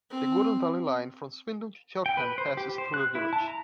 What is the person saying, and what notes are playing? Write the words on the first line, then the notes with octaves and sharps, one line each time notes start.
The Golden Valley Line from Swindon to Cheltenham passes through the village.
C4
G5
B4
C5
G4
C5
F#6
E4
A5
A#5